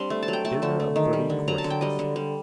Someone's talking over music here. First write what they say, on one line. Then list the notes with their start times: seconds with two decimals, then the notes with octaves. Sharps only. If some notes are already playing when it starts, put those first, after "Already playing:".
Dinner of thirty courses.
Already playing: G3 C4 D4 C6
0.10 A3
0.23 A5
0.28 F#3
0.33 G5
0.45 A3 A5
0.62 D3 A5
0.80 A3
0.96 D#3
1.13 G3
1.30 D3
1.48 F#3 A#5
1.58 A5
1.64 D3
1.70 G5
1.81 G3 D#5
1.99 D3
2.16 G3